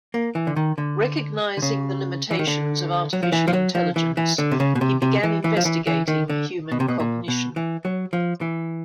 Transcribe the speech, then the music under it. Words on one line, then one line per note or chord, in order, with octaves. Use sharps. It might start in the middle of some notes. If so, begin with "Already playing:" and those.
Recognizing the limitations of artificial intelligence, he began investigating human cognition.
A#3
E3
D3
D#3
D3
D3
C#3
E3
D#3
D3
F#3
F3
E3
F3
F#3
F3
E3
E3
D3
C3
C#3
B2
C3
C3
E3
E3
F3
E3
E3
D#3
D3
B2
C3
B2
A#2
B2
E3
F#3
F3
E3